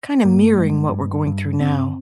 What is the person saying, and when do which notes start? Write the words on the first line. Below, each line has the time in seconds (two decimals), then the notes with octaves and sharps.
kinda mirroring what we're going through now,
0.24 G2 A#3
0.58 G2 G#3
0.92 G2
1.27 G2
1.60 G2 C4